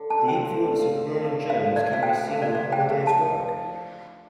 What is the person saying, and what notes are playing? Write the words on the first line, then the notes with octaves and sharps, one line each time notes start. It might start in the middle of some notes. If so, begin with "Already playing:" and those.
The influence of Burne-Jones can be seen in Holiday's work.
Already playing: D3
A5
A3 C4 F4
G5
D3
A3 C4 F4
D3
F3 A3 F4
D3 F5
F3 A3 F4 D5
F5
F3 G5
F5
A3 D4 F4 F5
D5
F3 F5
G5
A3 D4 F4
F5
F3 A5